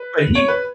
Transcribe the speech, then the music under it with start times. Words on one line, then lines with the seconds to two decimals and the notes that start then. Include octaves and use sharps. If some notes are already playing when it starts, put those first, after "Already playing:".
But he
Already playing: B4
0.35 C#5
0.48 B4